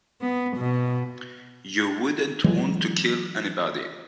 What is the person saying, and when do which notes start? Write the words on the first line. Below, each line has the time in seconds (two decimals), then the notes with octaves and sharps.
You wouldn't want to kill anybody.
0.21 B3
0.57 B2
2.44 E3 F#3 G#3